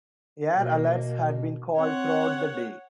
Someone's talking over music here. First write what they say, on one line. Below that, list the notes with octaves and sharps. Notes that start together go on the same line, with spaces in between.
Air alerts had been called throughout the day.
B2 A#3
C4 C#5 F#5